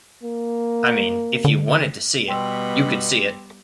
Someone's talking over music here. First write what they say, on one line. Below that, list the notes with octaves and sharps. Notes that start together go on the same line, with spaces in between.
I mean, if you wanted to see it, you could see it.
A#3
D3
B2 G3 B3 G5 C6 E6